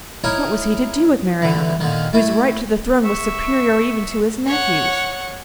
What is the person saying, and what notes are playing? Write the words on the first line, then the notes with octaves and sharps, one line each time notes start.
What was he to do with Marianna, whose right to the throne was superior even to his nephew's?
D#4 E4 A#4 C#5 G#5
D3 E3
A#2 D3 D#3
A3 E4
E5 C#6
C#5 F#5